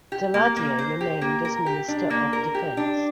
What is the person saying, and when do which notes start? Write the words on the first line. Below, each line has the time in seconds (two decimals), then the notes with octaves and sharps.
Daladier remained as Minister of Defence.
0.12 G4
0.34 A#3
0.56 A#3
0.79 C5
1.01 G4
1.21 A#3
1.45 A#4
1.66 G4
1.88 D4
2.10 A#3
2.33 A#4
2.55 G4
2.77 D4